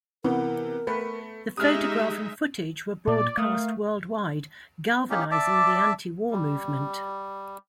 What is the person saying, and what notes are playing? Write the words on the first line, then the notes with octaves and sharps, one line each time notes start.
The photograph and footage were broadcast worldwide, galvanizing the anti-war movement.
C3 E3 B3 A#4
A3 B4
G#3 D#4 G4 E5 D#6 F6
A#2 D5
A3 A#4 F5 D#6
A#3 C#4 D#4 G4
D5 E5 A5 D6
G3